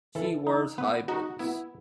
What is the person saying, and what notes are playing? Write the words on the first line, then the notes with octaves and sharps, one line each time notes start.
She wears high boots.
E3 A4
D#4
B3 B4
D#4 F#4
B3 E4